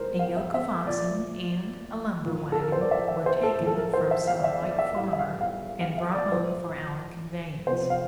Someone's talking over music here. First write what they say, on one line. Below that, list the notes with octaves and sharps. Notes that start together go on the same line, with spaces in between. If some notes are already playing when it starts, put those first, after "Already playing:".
A yoke of oxen and a lumber-wagon were taken from some white farmer and brought home for our conveyance.
Already playing: A2 G3 A#4 C5
F5
E5
E5
A#2 F3 D5
A2 F3
A4
A#4
C5
D5
E5
E5
C5
A4
A2 F3
A4
A#4
C5
E5
F5
D5
E5
D5
E5
A2 G3 F5
E5
F5
F5
F5
E5
D5
A2 F3 C5
C3 F3 C5
F5